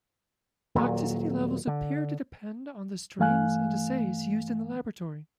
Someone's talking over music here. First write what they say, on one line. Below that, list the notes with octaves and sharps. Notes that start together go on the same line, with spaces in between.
Toxicity levels appear to depend on the strains and assays used in the laboratory.
D#1 A#2 F#3
D3
G2 E3 A3 F5 G#5 F#6